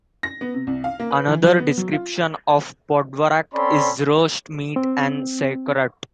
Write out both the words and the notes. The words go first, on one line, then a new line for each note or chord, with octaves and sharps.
Another description of podvarak is roast meat en sauerkraut.
A#6
B3
C3
C2
F5
A#3
B4
E3
F#3
B3
F#3
F4
C4 C#4 A4 D5 B5 C6
C4